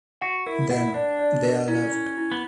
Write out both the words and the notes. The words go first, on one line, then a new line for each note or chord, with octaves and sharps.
Them, they are loved.
F#4 F#5
E4 A#4
E4 F#5
D4 D5
D5
A#4
C#4 E4
E4
E4
B3